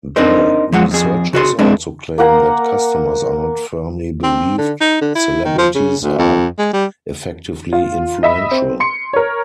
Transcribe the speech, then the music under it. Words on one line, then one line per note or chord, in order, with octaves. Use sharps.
The researchers also claim that customers are not firmly believed celebrities are effectively influential.
C4 D4 D#4 A#4 C5
F3 G#3 F#5
F2 G#4
C#3 F#4 D5 C6
G#3 C4 D4 E4
A#3 A#4 F#5 A#5
C4
D3
D#4
D3
E4
D#3
F3
C#3
D2
F2
G#3
G3
F4
D#5 E5 B5
C4
C6 C#7
A#4 C#5